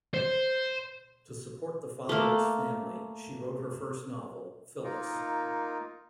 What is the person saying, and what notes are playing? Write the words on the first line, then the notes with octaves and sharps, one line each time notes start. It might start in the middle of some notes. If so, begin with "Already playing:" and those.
To support the fatherless family, she wrote her first novel, "Phyllis".
C5
A3 A#3
A#3 D#4 F4 A#4